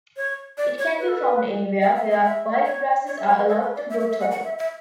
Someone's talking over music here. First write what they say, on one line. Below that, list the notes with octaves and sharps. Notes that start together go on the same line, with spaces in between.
It can be found anywhere where wild grasses are allowed to grow tall.
C#5
D5
C#5
B4
A4
B4
E5
E5
E5
E5
C#5
C#5
E5
C#5
B4
A4
B4
D5
E5
E5
E5
F#5
F#5
E5
E5